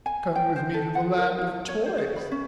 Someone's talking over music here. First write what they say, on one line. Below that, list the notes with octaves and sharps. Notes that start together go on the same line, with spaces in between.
Come with me to the Land of Toys.
G#5
G5
C5
A4
F#5
A#4
E4
C#5
C5
G#4
B5
C#4